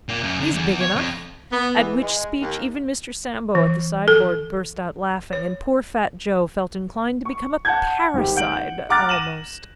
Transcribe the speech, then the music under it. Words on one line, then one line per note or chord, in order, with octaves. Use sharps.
"He's big enough." At which speech even Mr. Sambo at the sideboard burst out laughing, and poor fat Joe felt inclined to become a parricide almost.
A#2
F#2
D3
E2
C#5
F2
B3
E3
G#3
D#2
E3
A4
C#5
C#6
F#5 A5 G6 G#6
G#1 G4
F#5 G6 D7 F#7
F#5 A#5 D6 F6 F#6 A6
A#6 D#7 E7 F#7